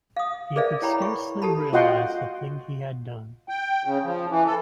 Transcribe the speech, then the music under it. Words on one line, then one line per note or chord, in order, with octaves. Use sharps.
He could scarcely realise the thing he had done.
F5 D#6
G#4 A#4 B4 D5 E5 F5
E4 C#5 G5 A#5 B5
C#6
G4 A4 A5 B5
F4 F#4 D#5 F#5 G5 C6
G5
C#3
F3
E3
A4